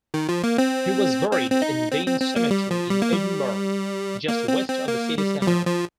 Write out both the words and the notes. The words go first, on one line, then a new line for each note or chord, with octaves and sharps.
He is buried in Dean Cemetery in Edinburgh, just west of the city centre.
D#3
F3
A#3
C4
C4
C4
D#4
C4
C4
C4
A#3
G3
F3
G3
A#3
G3
A#3
C4
C4
A#3
G3
G3
F3
F3